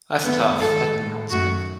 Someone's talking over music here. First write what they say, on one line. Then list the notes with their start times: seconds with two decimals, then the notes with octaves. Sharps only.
That's tough. That sounds tough.
0.24 G#2 D#3 A3 B3
0.59 G#2 D#3 G#3 A4
0.95 A2 G#3
1.29 F#2 D#3 F#3 A3 F#4